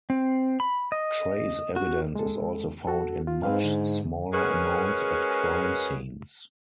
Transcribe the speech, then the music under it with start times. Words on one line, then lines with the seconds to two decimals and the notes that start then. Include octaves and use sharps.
Trace Evidence is also found in much smaller amounts at crime scenes.
0.10 C4
0.60 B5
0.92 D#5
1.76 F#4
2.15 G#3 A4
2.87 F#4 A4
3.27 F4
3.43 G#2 C4 B4 F5
3.64 D3
4.33 G#3 C#4 F#4 G#4 A#4 B4